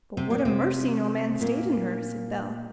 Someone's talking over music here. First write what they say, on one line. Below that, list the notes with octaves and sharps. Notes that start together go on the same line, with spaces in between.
'But what a mercy no man stayed in her,' said Bell.
C3 C4
A#2 A#3
D4
C3 C4
A#2 A#3